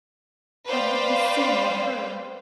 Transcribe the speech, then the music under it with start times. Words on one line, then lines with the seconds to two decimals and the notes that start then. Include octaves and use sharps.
What had he seen or heard?
0.66 B4 C5 D5 F5 G5